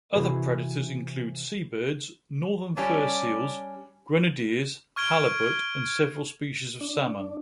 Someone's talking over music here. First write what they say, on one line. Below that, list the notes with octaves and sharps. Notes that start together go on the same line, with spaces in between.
Other predators include seabirds, northern fur seals, grenadiers, halibut and several species of salmon.
C3 E3 F#4 G#4 B4
G3 C#4 D4 D5
C#6 F6 G#6 D7 G7
D4